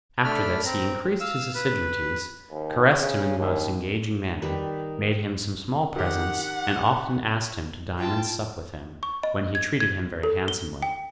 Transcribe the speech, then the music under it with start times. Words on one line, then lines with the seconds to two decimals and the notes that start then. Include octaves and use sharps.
After this he increased his assiduities, caressed him in the most engaging manner, made him some small presents, and often asked him to dine and sup with him, when he treated him very handsomely.
0.24 A3 D4 B5 F6
0.65 C4 A#5
1.20 F5 E6
1.55 B4
2.51 D#2
2.98 C#3
3.38 D#2
4.42 D#3 G3 B4
5.96 D#3 G4 F#5
7.99 F4 G5 A5
9.03 C#6
9.23 D#5
9.55 G#6
9.80 G#6
10.23 A4
10.48 G7
10.83 G5